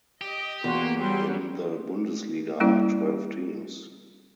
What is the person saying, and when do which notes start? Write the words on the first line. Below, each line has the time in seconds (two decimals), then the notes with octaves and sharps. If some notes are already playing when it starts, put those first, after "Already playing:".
In the Bundesliga are twelve teams.
0.21 G4 D#5
0.64 E2 A#3 F#4 C6
0.98 F#3 G3 G5 C6
2.60 G3 A#3 C#4 E4 D5